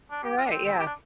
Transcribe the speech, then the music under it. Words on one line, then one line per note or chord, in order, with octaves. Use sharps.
Alright, yeah.
D4
G4
F4
D4
C4
C4
G4
D4